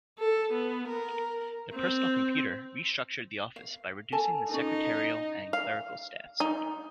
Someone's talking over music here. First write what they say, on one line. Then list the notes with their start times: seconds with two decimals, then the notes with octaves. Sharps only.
The personal computer restructured the office by reducing the secretarial and clerical staffs.
0.19 A4
0.52 B3
0.89 A#4
1.75 C4
3.56 F5
4.12 A4 G#5 A5
4.51 C#4 D#4 F4 A4
5.53 F5
6.40 D#4